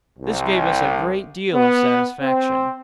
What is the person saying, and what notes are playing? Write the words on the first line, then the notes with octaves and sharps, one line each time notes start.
This gave us a great deal of satisfaction.
C2
B3
C4